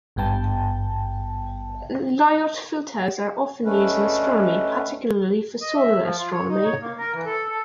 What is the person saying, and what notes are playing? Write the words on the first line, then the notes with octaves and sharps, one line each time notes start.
Lyot filters are often used in astronomy, particularly for solar astronomy.
G#1 G2 B3 G5 A5
D2 A3 C#4 B4 D5 D#5
D#5
E5
F3
F4
C#5
D#4
C#5
A#3
A#4
E3
A4
A4